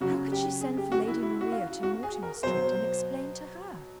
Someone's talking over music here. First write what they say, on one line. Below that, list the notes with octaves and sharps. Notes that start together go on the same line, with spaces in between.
How could she send for Lady Maria to Mortimer Street and explain to her?
C#3 F#3 F#4
G4
G#4
G4
F#4
E4
E4
F#4
F4
F#4
G#4
A#4
B2 F#3 C5